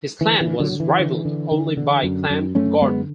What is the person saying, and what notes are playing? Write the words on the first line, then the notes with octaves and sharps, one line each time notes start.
His "clan" was rivalled only by Clan Gordon.
D3 E3
E3
D3
D3 F#3
D3
E3
D3
D3
D3
D3
F#2
F#2
F#2 A3 C#4
D3 G#3 B3